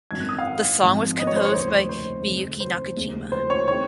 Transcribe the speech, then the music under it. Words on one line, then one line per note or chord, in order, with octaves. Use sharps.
The song was composed by Miyuki Nakajima.
G#1 F#2 D#3 G#6
F#6
D#6
F5
F#5
G#1 G#2 F3
D#5
C#5
C5
C#5
F1 D#2 C#3 C5
C5
F#1 F2 D#3 G#3
C5
F1 D#2 C#3 G#3
C5
C#5
D#3 G#3 C4 C#5